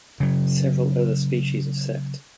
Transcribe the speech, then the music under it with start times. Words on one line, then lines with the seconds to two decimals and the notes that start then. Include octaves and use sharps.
Several other species of sect.
0.20 C#3 F#3